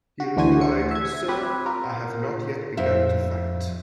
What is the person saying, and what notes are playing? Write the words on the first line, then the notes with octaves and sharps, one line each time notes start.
He replied, Sir, I have not yet begun to fight!
F#4
D2 E3 D4 F#4 C5 G#5
C#7
E5 G#6
C4 G4 B4
F4 A#4
F2 E5